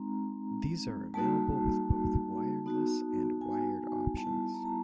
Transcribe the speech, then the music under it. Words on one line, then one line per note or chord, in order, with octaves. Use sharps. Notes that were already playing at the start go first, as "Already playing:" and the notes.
These are available with both wireless and wired options.
Already playing: G#3 C4 D#4 A#5
G3 A#3 D#4 F#4 A5
B3 D#4 F#4
G#5
G3 B3 E4 A5
A#5
A5